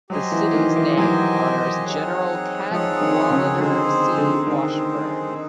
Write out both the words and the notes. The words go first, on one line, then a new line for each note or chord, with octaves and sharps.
The city's name honors General Cadwallader C. Washburn.
F#3 G4 C5 D#5 G#5
E3
D#3
E3
F#3 G4 C5 D#5 G#5
C4 D#4 G#4 C#5 F#5
F3 C4 D#4 G#4 C#5 F#5
D#3
C#3
D3 C4 D#4 G#4 C5
D3
D#3 C4 D#4 G#4 C5
D#4